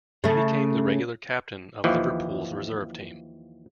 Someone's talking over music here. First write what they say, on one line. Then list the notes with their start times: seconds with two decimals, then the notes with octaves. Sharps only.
He became the regular captain of Liverpool's reserve team.
0.24 C#3 A3
1.84 D#2 E3 F3